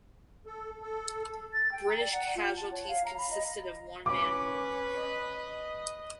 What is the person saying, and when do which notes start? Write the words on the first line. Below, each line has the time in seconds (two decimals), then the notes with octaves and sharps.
British casualties consisted of one man wounded.
0.46 A4
0.82 A4
1.53 A6
1.72 G5
1.88 A#5
2.00 D5
2.12 F#5
2.36 F4
2.57 A5
2.72 C#5
2.88 F5
3.05 A#5
3.18 B5
3.31 D#5
4.06 C#4 B4 D6
4.97 D#5